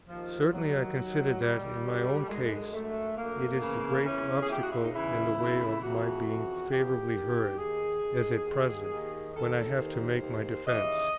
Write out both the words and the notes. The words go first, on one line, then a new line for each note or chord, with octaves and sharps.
Certainly I consider that, in my own case, it is the great obstacle in the way of my being favourably heard, as at present, when I have to make my defence.
D#2 D#3 F3
D#2 D#3 F#3
D#2 D#3
D#2 D#3 G3
F#2 D3
A3
F#2 D3 G#3
F#2 D3 A3
F#2 D3 A#3
E2 C#3 E3
E2 C#3 E3 C#4
G#4
E2 C#3 E3 G4
F#4
E4
D#4
E2 C#3 E3 E4
F2 C#3 E3
F2 C#3 E3 F#4
F2 C#3 E3
F2 C#3 E3 G4
D#2 D#3
D#2 D#3 G#4
D#2 D#3
D#2 D#3
D#2 D#3
D#2 D#3 A4
D#2 D#3 C5
D#2 D#3
D#2 C#3 E3 D#5